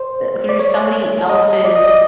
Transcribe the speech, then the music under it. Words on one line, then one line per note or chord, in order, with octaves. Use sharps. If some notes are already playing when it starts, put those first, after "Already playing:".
uh, through somebody else's,
Already playing: C5
D5
C#5
D#5
D5
D#5
D#5